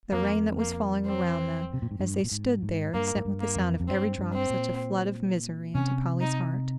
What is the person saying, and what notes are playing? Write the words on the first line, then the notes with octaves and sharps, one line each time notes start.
The rain that was falling around them as they stood there sent with the sound of every drop such a flood of misery into Polly's heart!
F2 A#3
A#3
C4
C3
A#2
G#2
G2
A#2
G#2
G#2
G2 A#3
G#2
G2
A#3
F2
F2
G2 C4
G2
C4
A#2
C3 C#4
D#4